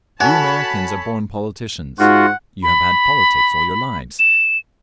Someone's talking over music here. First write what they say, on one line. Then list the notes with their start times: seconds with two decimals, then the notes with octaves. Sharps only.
You Americans are born politicians; you have had politics all your lives.
0.20 F#4 A4 C#5 G#5 A5 B5
1.99 G#2 F4 F#4 F#5
2.63 B5
4.19 E7